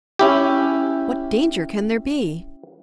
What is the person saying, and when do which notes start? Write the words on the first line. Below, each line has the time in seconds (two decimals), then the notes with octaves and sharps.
"What danger can there be?"
0.19 C#4 E4 G4